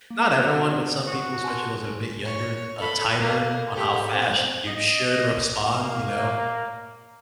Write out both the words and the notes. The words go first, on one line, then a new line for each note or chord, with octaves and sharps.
not everyone, but some people, especially those that are a bit younger, a timer on how fast you should respond, you know,
A#3
F7
F#3
F#4
G#5 A5 C6
C#5
A4 B5
A#3
G4 A4
C4
D#5
A#3